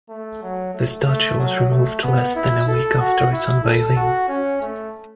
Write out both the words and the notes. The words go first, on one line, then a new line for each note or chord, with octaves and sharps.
The statue was removed less than a week after its unveiling.
A3
F#3
A3
A3
F#3
A3
B3
E4
A4
F#4
E4
A4
F#4
C#4
A3